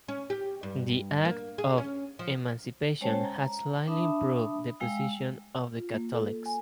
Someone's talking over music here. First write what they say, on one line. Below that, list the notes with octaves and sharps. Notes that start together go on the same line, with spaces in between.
The Act of Emancipation had slightly improved the position of the Catholics.
C#4
G4
G2
A#3
G#4
C#4
F3
G#3 C#4 C5 C#5 G5 A5
A#5
D4 E5 A5 B5 D#6
G#3 F5 G5 E6
F4
A#3
A4
G#5